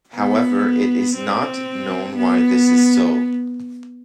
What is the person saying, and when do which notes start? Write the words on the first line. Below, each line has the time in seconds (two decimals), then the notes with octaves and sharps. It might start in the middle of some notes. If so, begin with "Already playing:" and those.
However, it is not known why this is so.
0.15 B3
1.16 C4
2.17 B3